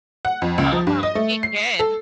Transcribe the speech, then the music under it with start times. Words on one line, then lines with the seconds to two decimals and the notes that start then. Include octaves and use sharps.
Um, it can.
0.25 F#5
0.42 F2
0.58 C#2
0.72 F3
0.87 G2
1.03 D#5
1.15 A3
1.43 C7
1.79 A4